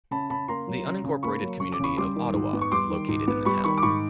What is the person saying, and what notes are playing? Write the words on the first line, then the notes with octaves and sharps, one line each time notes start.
The unincorporated community of Ottawa is located in the town.
C#3 A5 B5
C#3 A5 B5
A#3 A#5 C6
F#3
C#3
C#3
A#3 B5 C#6
F#3
C#3 C#6
D6
C#3 B5 C#6
G3 C6 D6
D#3
G#2
B3
C#6
G3 C6 D6
D#3
G#2
B3
G3 B5 C#6
D#3 B5 C#6
D6
G#2 B5 C#6